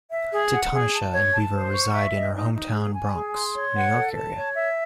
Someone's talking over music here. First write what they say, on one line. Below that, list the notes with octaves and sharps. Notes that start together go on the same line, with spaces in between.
Ta-Tanisha and Weaver reside in her hometown Bronx, New York area.
E5
G#4
F#5
G#4
A5
C#5
A5
C5
C#6
E5
D#5
D#4
D#4
G#4
G#5
G#4
C6
C#5
F#5
A4
A5
C#5
E5